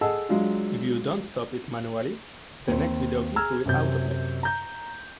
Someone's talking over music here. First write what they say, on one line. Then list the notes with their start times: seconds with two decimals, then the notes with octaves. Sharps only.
If you don't stop it manually, the next video clip will autoplay.
0.01 G#4 A4 D#5 F#5 A5 E6
0.29 F#3 G#3 D4 F4
2.68 D#2 C4
3.36 G#4 A#5 E6 F6 G#6
3.65 F#2 C3 G6
4.43 A#5 G6